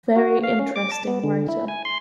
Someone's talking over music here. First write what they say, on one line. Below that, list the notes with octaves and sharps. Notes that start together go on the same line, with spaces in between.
Very interesting writer.
F#4
F5
C#4
D6
A5
B3
D3
E4
G#5
C6